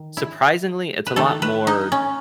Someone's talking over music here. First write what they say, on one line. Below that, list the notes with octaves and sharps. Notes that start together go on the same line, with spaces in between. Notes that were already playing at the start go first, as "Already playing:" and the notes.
surprisingly, it's a lot more
Already playing: D#3
E4
B4
D#3 A3 A4
B4
D#4
C#4